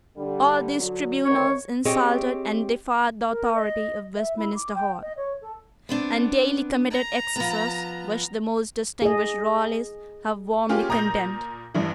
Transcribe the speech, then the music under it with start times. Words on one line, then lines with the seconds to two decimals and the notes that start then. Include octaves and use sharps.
All these tribunals insulted and defied the authority of Westminster Hall, and daily committed excesses which the most distinguished Royalists have warmly condemned.
0.16 D3 G3
0.77 D3 F#3
1.25 D2 D#3 C#5
1.85 C4 G4 G#4 C#5 D#5 G5
3.29 A#4
3.55 D#5
4.16 E5
4.37 E4
4.55 D6
4.75 G5
5.02 D#5
5.17 C#5
5.42 A4
5.89 B3 C4 D4
6.90 A#5
7.36 F3 B3
9.02 G#4 D#5
10.69 A#3 C#4 F4 G4 G#4
10.89 A#2 A#5 D#6 G6 A#6
11.74 A1 G2 E3